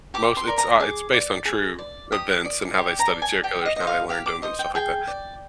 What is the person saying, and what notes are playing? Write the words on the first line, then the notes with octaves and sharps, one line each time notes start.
most it's, uh it's based on true events and how they studied serial killers and how they learned them and stuff like that.
G4 D6
C6
A#4 D5
A#5
G#4 D6
D5
G#4
D5
G4 D#6
D5
G4
A#5
D5
G#5
G4 G5
D#5
C5 D#5
F5
G4 F5
D6
C5 D#5 D#6
G5
G#4 G5
D5